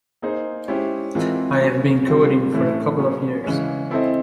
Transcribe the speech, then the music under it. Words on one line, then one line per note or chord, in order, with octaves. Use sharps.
I have been coding for a couple of years.
A#3 D#4 G#4 C5
G#3 C#4 E4 G4 C5
E3 G#3 C4 F4 A#4
F#3 A#3 C#4
G3 C4 F4
A2 E3 A3 C#4 E4
F#3 A#3 C#4
C#3 E3 G#3 C#4
C4 E4 A4 C5 D#5